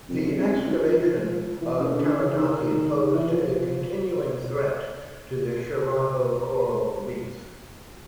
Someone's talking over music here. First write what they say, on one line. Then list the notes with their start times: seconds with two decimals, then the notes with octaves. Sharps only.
The excavation of Karadake posed a continuing threat to the Shiraho coral reef.
0.08 F2
0.24 F#2
0.39 C3
0.55 C#3
0.66 E3
0.70 D#3
0.85 F3
1.00 F3
1.61 E3
1.80 C#3
1.92 D3
2.07 D#3
2.22 E3
2.38 D#3
3.14 E3
3.30 F3